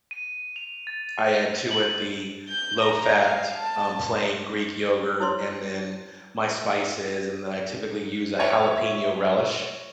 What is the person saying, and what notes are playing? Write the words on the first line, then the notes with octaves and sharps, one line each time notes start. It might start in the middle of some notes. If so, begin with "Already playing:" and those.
I add to it the low-fat, um, plain Greek yogurt and then my spices, and then I typically use a jalapeño relish,
D#7
F7
A6
F#7
G6
A#5
F5
A5
E4 C5 C#5 C6
C#5 E5